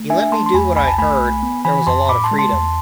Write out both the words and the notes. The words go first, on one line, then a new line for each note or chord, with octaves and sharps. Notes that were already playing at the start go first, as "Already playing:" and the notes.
He let me do what I heard, there was a lot of freedom.
Already playing: A3
D4 E5 G#5
A3 A5 C6
C6
E2 G#5 B5
B1 G#5 B5
A5
A3 G#5 B5
B1
B3
E3 G#5 B5
F2 A5 C6
A2 B5 D6
A5 C6
G#3
A5 C6
E2